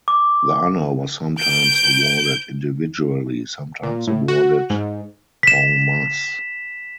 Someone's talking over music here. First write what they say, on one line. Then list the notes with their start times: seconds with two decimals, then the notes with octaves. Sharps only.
The honor was sometimes awarded individually, sometimes awarded "en masse".
0.08 D6
1.39 G6 D7
3.83 A#2
4.07 A2
4.28 F#4
4.70 G#2
5.43 B6 E7